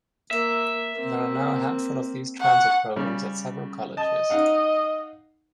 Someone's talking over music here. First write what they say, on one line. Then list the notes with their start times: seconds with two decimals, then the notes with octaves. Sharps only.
There are now a handful of these transit programs at several colleges.
0.31 A#3 E5
0.93 A#3 C4
2.41 F#5 C#6
2.96 C#3 G3
3.97 D#5 A5
4.30 D#4 F5 F#5